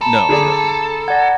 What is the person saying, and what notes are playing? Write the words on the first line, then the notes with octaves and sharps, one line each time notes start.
No, she doesn't. She
A4 A#5 B5 E7
D3 G#4 D5
D5 F#5 G#6 A#6